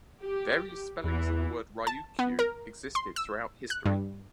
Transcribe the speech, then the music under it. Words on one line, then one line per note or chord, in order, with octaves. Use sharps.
Various spellings of the word "Ryukyu" existed throughout history.
G4
E2 E3
A5
B3
A#4
C6
E6
F#6
G2